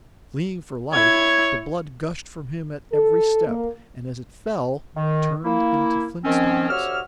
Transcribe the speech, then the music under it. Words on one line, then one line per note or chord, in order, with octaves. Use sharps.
Fleeing for life, the blood gushed from him at every step, and as it fell turned into flint-stones.
E4 C#5 G#6
A4
A#3
D#3
A#3 E4
D#3 F3 C4 C#4
D2 F#4 G4 C#5 E6 F6